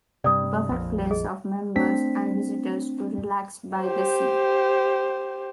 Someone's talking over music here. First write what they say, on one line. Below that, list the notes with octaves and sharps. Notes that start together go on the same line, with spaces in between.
A perfect place for members and visitors to relax by the sea.
G2 C3 D5 D#6
A#1 F2
G#4 D#5
A3 C4 D4 B6
G4 C5